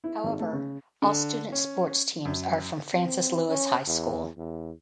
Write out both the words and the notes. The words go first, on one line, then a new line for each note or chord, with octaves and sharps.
However all students sports teams are from Francis Lewis High School.
E4
G#1
A3
C#3
D3
C#4
F#2
C4
C#4
E2
E2